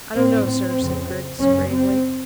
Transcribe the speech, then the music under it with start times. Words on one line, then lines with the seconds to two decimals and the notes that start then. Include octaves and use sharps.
"I don't know, sir," said Griggs gravely.
0.16 A2 C4
0.47 C4
0.78 F2 C#3
1.40 F#2 C#3 C#4
1.71 C4